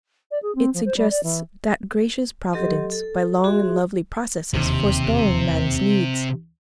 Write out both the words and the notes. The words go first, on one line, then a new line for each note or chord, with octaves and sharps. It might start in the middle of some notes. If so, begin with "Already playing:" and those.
It suggests that gracious Providence, by long and lovely processes, forestalling man's needs.
D5
G#4
C4
F3
C5
G3
D5
E3
F#3 G4 A4 D#5 C6
A4
F#4 G#4 E5 C6
E1 D#2 C3